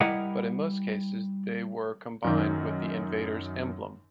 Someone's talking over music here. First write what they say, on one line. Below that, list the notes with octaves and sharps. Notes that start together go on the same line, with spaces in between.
But in most cases they were combined with the invader's emblem.
G3 E4 G4 A#4 D#5 F#5
F#2 D#3